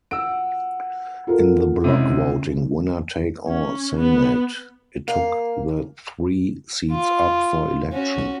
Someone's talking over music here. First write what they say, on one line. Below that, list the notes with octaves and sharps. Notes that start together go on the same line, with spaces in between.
In the bloc-voting winner-take-all Senate, it took the three seats up for election.
F#5 E6 D7
F4 A4 A#4
C3 G#3 C#4 E4
C#4
B3
A#3 F5
F4
C#4 F#4